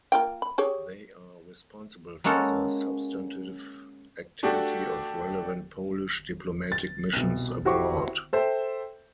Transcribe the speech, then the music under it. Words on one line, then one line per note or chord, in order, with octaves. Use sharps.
They are responsible for the substantive activity of relevant Polish diplomatic missions abroad.
A#3 F4 G5
B5
G4 G#4 C#5
G#3 A#3 C#4 F#4 A4
A3 D4 F#4 G4 A4
A6
C2 B2
E4 F#4 G4 C5 C#6 D6
A4 C5 E5 G5